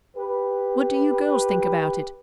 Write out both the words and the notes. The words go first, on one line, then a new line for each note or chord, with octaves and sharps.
"What do you girls think about it?"
G4 B4